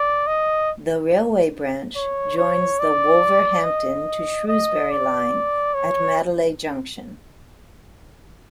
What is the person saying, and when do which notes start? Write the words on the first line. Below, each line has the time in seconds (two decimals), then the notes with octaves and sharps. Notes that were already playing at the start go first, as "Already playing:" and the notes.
The railway branch joins the Wolverhampton to Shrewsbury line at Madeley Junction.
Already playing: D5
0.27 D#5
1.96 C#5
2.37 C#5
2.80 D5
3.64 D#5
4.48 D#5
4.90 D5
5.74 C#5